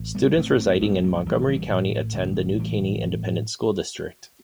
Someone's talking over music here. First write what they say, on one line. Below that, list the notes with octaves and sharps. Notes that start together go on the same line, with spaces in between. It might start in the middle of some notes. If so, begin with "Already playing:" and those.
Students residing in Montgomery County attend the New Caney Independent School District.
Already playing: A1
G3 B3
A1 A3 C4
A3 C4
A1 G3 B3
F#3 A3
A1 E3 G3
E3 G3
A2 E3
A1 D3 F#3
A2 E3 G3
A2